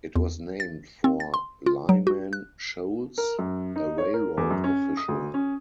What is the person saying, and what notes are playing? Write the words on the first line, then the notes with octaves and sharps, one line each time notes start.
It was named for Lyman Sholes, a railroad official.
E2
A6
C4
A6
C6
F4
F#3
F#4
F#6
A#4
F#2
D#4
C#5
A#4
E2
F#2
C#4
D#6
D2
C#4